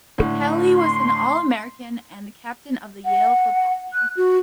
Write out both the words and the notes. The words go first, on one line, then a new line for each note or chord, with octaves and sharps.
Kelley was an All-American and the captain of the Yale football team.
A2 D3
C6
F#5
F#6
F#4